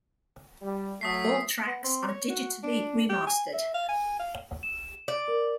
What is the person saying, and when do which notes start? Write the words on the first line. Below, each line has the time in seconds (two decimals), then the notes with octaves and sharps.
All tracks are digitally remastered.
0.62 G3
1.01 F#3 A3 D#6 B6 C7
1.67 B3
1.84 C4
2.08 C#5
2.29 F#4
2.63 D4
3.09 G4
3.27 G#5
3.54 E5
3.74 F5
3.89 G#5
4.19 F5
4.63 E7
5.08 D5
5.28 A#4